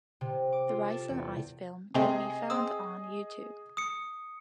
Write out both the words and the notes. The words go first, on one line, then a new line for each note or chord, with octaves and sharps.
The Rice on Ice film can be found on YouTube.
C3
D6
F4
A4
E2
C3 A3 C4 G#4 D#5
C4 D#6 E6
D#6 C#7